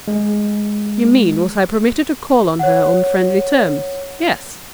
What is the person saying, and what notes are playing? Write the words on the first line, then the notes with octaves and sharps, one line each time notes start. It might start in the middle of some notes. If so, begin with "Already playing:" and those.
"If you mean, was I permitted to call on her on friendly terms, yes."
G#3
C#5 F#5